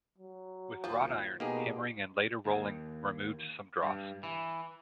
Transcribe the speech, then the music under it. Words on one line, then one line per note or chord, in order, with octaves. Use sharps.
With wrought iron, hammering and later rolling removed some dross.
F#3
D#2 F3
B2 A#3 D#4 G4 G#4
D#2
G2
E3